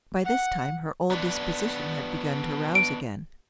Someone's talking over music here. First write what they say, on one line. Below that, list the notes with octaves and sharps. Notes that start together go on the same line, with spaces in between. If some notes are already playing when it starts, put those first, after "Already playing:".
By this time her old disposition had begun to rouse again.
F#5
B3 D4
D7